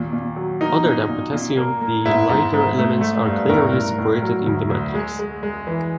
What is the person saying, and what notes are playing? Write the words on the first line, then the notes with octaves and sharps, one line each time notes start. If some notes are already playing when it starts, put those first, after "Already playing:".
Other than Potassium, the lighter elements are clearly separated in the matrix.
Already playing: D#2 A#2
A#2
F#3
A#3 D#4
A#2
A#2
A#2
A#3
A#3
G#2 E4
G#2
G#2
A3
A3
G2
A2 A#4
A2
A2
F#3
D2
D2
G#3
G#3
G#3
E3